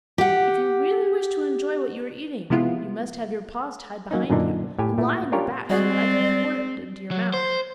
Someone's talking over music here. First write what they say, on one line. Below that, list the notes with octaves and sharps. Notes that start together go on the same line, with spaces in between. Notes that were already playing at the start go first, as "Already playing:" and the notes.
'If you really wish to enjoy what you are eating, you must have your paws tied behind you, and lie on your back, so that I can pour it into your mouth.'
G4 F#5
C3 F3 G#3 B3 E4 F4
F#3 A#3 C#4 D#4
F#2 A#2 D3 D4 D#4
A2 G4 G#5
A#2 A3 E4
C#4 D4 F4 G4 A#4 C#5
G3 G#3 C4 F#4 G#4 D5
F#3
C5